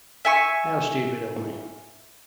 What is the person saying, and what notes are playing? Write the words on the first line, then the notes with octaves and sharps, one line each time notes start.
How stupid of me!
E5 G#5 C#6